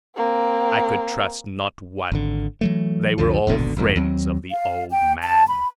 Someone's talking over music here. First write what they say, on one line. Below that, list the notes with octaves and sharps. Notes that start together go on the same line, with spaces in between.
I could trust not one; they were all friends of the old man.
A#3 C4
G#1 D3
E3 F#3 A3
C2 F2 D3 F3
D#1 G#1 B2 D3
F#1 F2 G#2
D#2 F#3 C4
F5
G5
A5
B5